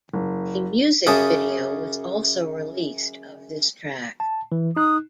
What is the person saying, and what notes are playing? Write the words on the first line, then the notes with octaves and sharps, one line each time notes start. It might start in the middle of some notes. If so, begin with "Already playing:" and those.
A music video was also released of this track.
F#1
F#2 C#3 G4 C#5 A5 D#6
A5
E3
D#4 D#6 F#6